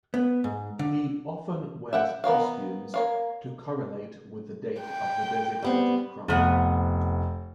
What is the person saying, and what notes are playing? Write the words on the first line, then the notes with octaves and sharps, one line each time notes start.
He often wears costumes to correlate with the date of the designated crime.
B3
G#2
D3
E5 F#5 G5
B3 A#4 C#5 F5
A#3 C#5 F5
G5
G3 B3 C4
F1 F3 B3 F#5